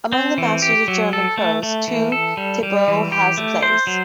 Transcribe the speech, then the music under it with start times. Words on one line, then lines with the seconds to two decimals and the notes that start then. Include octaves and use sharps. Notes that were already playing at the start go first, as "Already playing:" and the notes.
Among the masters of German prose, too, Thibaut has a place.
0.13 C4
0.38 E3
0.62 G4
0.88 F#3
1.13 A4
1.38 A3
1.63 A3
1.88 E3
2.12 A4
2.37 G3
2.63 G3
2.88 E3
3.12 G4
3.37 A3
3.63 C5
3.87 F#3